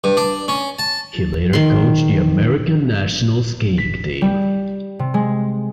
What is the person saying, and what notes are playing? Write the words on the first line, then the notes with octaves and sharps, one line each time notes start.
He later coached the American national skiing team.
G2
D4
C#4
A5
D#3 C6
B6
G3
C3
G#3